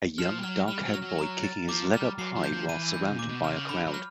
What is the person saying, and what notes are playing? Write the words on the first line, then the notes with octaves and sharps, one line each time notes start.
A young, darkhaired boy kicking his leg up high while surrounded by a crowd.
F3 F6
G3
F#3 F6
G3 F6
F#3
F6
F#3
A#5
A6
F3 D6
G3 F6
F#3 C7
F3
G6
F3
E3 D#7
G6
A#2 D6
B2
C3 F6
C#3
D3 B5
F#3
F6